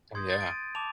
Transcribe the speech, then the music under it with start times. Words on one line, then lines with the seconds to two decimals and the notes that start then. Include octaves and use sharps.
Oh yeah.
0.15 C6 D#6 G6 G#6
0.30 A6
0.41 D7
0.45 D#7
0.75 A5 D6 F7